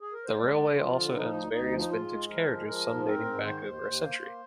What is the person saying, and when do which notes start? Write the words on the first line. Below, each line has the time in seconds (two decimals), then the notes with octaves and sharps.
The railway also owns various vintage carriages, some dating back over a century.
0.01 G#4
0.13 A#4
0.25 C5
0.38 G#3 D5
0.57 D3
0.76 F3 F4
0.95 D3
1.14 F3 D#4
1.33 D2
1.52 D2 D#4
1.71 F3
1.79 D#4
1.91 G#2 F4
2.10 G#3
2.29 F3 A#4
2.48 G#3
2.67 F3 A#4
2.87 G#2
3.05 C4 A#4
3.24 G#2
3.43 D#3 C5
3.63 D#2
3.82 D#2
4.01 A#3
4.20 A#3